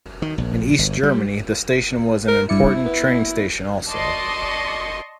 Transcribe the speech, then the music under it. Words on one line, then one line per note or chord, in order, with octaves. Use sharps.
In East Germany the station was an important train station also.
D#3
A#1
G1
G3
A#4
G2 E4 D5 C#7
B3
D5 D#5 A5 C6 C#6 D#6